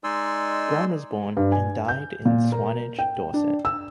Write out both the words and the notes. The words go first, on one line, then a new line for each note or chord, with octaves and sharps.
Brown was born and died in Swanage, Dorset.
G#3 D#4 D5 G#5 C6 E6
G2
G#5
G6
A#2
A#4
G5
D4
E6